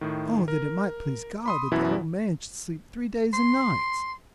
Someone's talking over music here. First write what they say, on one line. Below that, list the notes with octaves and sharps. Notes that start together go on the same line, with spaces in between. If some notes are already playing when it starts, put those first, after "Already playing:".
Oh, that it might please God that the old man should sleep three days and nights!
A2 D#3
A#4
B5 C6 D#6
F#2 B2 E3 E4
C6